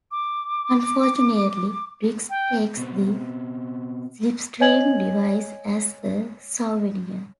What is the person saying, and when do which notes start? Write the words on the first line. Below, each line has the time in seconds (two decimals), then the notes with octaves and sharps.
Unfortunately, Briggs takes the Slipstream device as a souvenir.
0.11 D6
2.30 G5
2.77 B2 C4
4.60 C#5 D#5 G#5 G#6 F#7